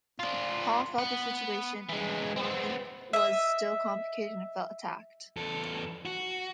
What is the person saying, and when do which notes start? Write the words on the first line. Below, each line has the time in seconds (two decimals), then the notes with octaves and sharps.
Paul felt the situation in Corinth was still complicated and felt attacked.
0.20 D4 F4
0.98 B3
1.89 E3 G#3
2.36 B3 C4
3.13 D#5 E5
5.37 E2 A4
6.05 F#4